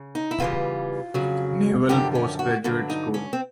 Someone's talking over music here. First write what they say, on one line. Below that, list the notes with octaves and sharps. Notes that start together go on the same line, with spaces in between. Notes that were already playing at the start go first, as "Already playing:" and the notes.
Naval Postgraduate School.
Already playing: C#3
D#4
E4
E2 C#3 E3 G3 F4
F2 C#3 F#3
F#2 D3 F3 G4
C#4
F#4
G2 D3 F#3
D#4
C#4
C4